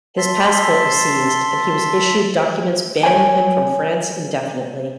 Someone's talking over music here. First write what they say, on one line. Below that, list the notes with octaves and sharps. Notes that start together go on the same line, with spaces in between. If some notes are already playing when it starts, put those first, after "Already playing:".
His passport was seized and he was issued documents banning him from France indefinitely.
E5 A5 C6
C#5 G5 G#5